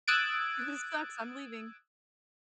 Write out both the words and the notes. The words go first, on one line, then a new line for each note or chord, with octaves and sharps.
This sucks. I'm leaving.
D#6 E6 F#6 G#6 A6 D7